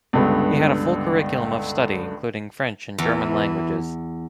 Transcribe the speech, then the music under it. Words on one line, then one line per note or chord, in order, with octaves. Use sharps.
He had a full curriculum of study, including French and German languages.
C#2 G2 D3 B3
E2 E3